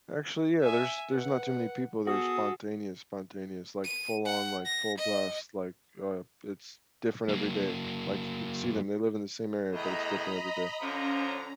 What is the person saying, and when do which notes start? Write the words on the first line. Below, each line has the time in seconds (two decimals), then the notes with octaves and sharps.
Actually, yeah, there's there's not too many people that are spontaneous, spontaneous, like, full on, like, full blast, like, uh, it's different every day, like, you could see them, they live in the same area, but it's different every day.
0.60 E5 G#5
1.12 B4 F#5
2.07 B3 F#4 G#4 A4 D#6
3.84 D#7
4.25 F#5
4.65 A#6
4.98 D#5
7.29 F#3 A#3
9.71 E2 A2 D#5 A#5 B5
10.81 D3 F3 C#4 A#5